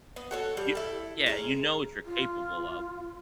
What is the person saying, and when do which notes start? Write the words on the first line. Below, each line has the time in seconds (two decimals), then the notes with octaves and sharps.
You yeah, you know what you're capable of.
0.16 B3
0.31 F#4 A4 C#5
0.57 G3
0.75 E4 A4
1.26 G#3 C#4 A#5
2.05 F4